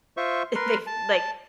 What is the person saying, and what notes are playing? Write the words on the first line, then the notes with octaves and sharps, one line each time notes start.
they've, like,
F4 C5 E5 C#6
A#4 B4 C6
A5